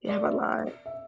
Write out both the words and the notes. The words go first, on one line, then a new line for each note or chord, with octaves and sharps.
They have a lot.
D5
E5
E5